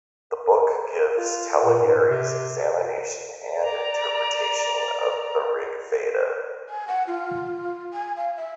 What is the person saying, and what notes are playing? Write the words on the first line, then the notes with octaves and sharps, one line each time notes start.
The book gives Talageri's examination and interpretation of the Rig Veda.
F4
A#2
G#2
C3
D5 A#5
G#5
F#5
F4
G#5
F5
E5